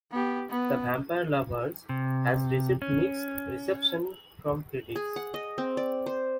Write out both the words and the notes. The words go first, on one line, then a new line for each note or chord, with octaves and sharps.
"The Vampire Lovers" has received mixed reception from critics.
B3 G4
B3
C3
C#4
G#4
F#5
D#5
C4
D5
C5